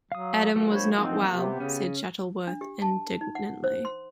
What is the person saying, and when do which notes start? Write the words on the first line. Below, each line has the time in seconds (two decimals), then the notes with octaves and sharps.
Adam was not well, said Shuttleworth indignantly.
0.12 F#3 F5 D#6
0.56 F#3 A#3 F4 A4
0.71 D4 C5 C#5 B5
0.98 F3 C4 D#4 F#4
1.31 C3 B3 G4
1.60 C#3 C#4
2.47 D4
2.61 G4
2.82 A5
3.21 D#4
3.35 F#5
3.64 C5
3.85 C6